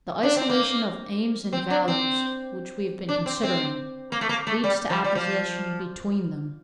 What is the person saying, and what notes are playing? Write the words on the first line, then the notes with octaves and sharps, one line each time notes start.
The isolation of aims and values which we have been considering leads to opposition between them.
D4
C4
A#3
C4
D4
C4
D4
C4
C4
A#3
A3
A#3
A3
G3
F3
G3
F3